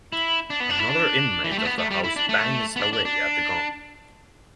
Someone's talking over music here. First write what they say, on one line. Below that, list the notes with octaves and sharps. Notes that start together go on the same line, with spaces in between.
Another inmate of the house bangs away at a gong.
E4
D4
B3
D4
E4
D4
E3
G3
A3
B3
A3
G3
E4
D4
A3
B3
D4
D4
D4